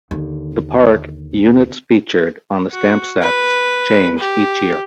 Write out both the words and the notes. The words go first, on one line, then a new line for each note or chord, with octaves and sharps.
The Park units featured on the stamp sets change each year.
D#2 D3
F#4
B4
G4